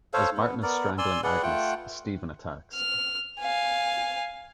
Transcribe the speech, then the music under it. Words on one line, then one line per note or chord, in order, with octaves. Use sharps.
As Martin is strangling Agnes, Steven attacks.
A4 C5 C#5 F5
B3
B3 A#4 D5
D5 G#5 C6 E6
G#4 B4 D5 F#5
A3 F4 F#5 G5
F6
F5 G#5